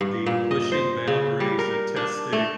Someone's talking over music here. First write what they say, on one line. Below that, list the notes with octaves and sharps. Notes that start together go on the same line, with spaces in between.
the pushing boundaries and testing,
G2
A#2
D#5
C5
C#3
G3
A#4
D4
A3